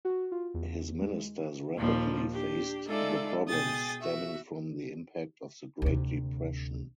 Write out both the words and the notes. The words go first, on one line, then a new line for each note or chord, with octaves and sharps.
His ministers rapidly faced the problems stemming from the impact of the Great Depression.
F#4
F4
E2
G#3
D#2 A#2 F3 G3
D4 G4
G#3 D#4 F4 A4 D5 E5
B2 G#4 G5 D#6 A6
F#4 E5
D2 C3